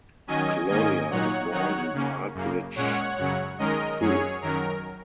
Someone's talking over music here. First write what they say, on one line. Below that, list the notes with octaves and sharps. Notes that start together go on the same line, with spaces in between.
Claudia was born in Park Ridge Il.
D#3 F#3 C#4 D#5 G#5
G#2 D#3 A#3 C#4 D#5 G#5
A#2 F#3 D#4 C#5 F#5
D#3 F#3 D#4 C#5 F#5
C#3 A#3 C#4
F#2 C#3 A#3
A#2 G#3 C#4 C#5 F#5
F#2 C#3 F#3
D#3 G#3 C#4 A#4 D#5
F#2 F#3 C#4 G#4 C#5
F#2 D#3 F#3 C#4 A#4